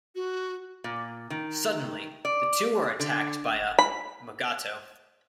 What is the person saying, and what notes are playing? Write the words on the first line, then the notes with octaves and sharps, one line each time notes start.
Suddenly, the two are attacked by a "mugato".
F#4
A#2
D#3
D5
D3
B5